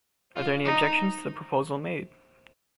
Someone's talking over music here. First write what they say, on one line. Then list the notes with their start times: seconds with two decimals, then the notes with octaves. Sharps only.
Are there any objections to the proposal made?
0.35 F4
0.65 D#4